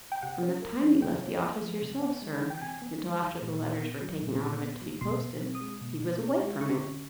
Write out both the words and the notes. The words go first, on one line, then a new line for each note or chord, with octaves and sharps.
"From the time you left the office yourself, sir, until after the letters were taken out of it to be posted, he was away from it."
G5
C3 F#5
C#4
A#3
F3
C3 G5
C#4
A#3
F3
C3
B3
G#3
E3
G5
C3 G#5
B3
G#3
E3
A#2
A#2
B3
F#3
A#2
A#2
B3
F#3
B2 C6
B2
C4
D#6
G#3
B2
B2
C4
G#3
D3 C#6
C#4